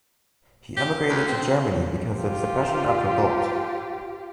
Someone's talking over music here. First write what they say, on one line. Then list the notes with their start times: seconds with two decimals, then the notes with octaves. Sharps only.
He emigrated to Germany because of suppression of revolt.
0.77 G4
1.09 D2
1.28 C4
2.17 F4 G4